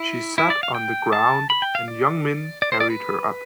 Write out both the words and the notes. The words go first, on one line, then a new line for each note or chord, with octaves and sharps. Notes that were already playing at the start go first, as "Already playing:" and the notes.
She sat on the ground, and Young-min carried her up.
Already playing: E4
E4
D5
F5
G5
A5
B5
G5
F5
D5
D5
C5
D5
B4